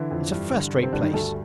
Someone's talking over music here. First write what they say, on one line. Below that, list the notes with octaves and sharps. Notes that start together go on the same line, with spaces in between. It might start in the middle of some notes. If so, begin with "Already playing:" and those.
It's a first-rate place!'
Already playing: D3 E3 E4
F2
G2
D3
D3
C3 C4
G2 D3 D4
D#3 D#4
D2 A3 A4